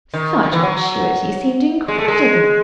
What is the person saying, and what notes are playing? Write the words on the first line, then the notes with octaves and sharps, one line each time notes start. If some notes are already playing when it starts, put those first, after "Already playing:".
Such fatuity seemed incredible.
D#3
D#3
E3
F#3
G#3
A3
G#3